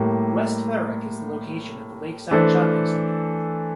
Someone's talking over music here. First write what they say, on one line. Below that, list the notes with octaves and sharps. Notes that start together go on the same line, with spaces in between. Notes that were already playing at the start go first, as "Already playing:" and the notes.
West Thurrock is the location of the Lakeside Shopping Centre.
Already playing: A2 G3 A#3
E3 A3 D4 A4 C5